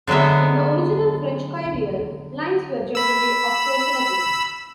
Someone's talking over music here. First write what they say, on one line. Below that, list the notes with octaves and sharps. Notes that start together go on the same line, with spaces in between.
In the original French kyrielle, lines were generally octosyllabic.
D3 F#3 G#3 B3 E5
B5 E6